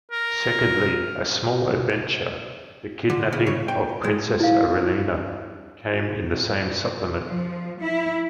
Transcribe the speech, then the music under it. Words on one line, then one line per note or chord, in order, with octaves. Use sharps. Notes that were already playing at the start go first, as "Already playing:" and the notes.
Secondly, a small adventure, "The Kidnapping of Princess Arelina", came in the same supplement.
A#4
D3
C#3
C#5
G5
G#3
E4 F5
F3
E4